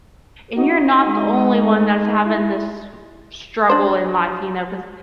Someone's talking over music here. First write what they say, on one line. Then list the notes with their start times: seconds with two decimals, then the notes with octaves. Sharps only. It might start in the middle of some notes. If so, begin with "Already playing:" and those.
and you're not the only one that's having this struggle in life, you know, 'cause
0.56 D#4 F#4
1.07 G#3
2.26 E4
3.69 D4 C5